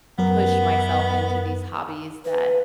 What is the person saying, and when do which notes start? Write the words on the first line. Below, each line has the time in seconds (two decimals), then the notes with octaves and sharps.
push myself into these hobbies that
0.18 F#2 B3 A#4
2.25 B4